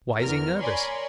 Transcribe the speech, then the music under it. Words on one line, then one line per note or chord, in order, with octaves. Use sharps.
Why is he nervous?
E2 A#4 F6
A#4 C#5 D5 G#5 B5 C6